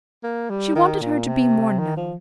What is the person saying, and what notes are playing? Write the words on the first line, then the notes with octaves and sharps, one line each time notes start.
She wanted her to be more known.
A#3
G3
D#3
A#2
C3
D#3
F3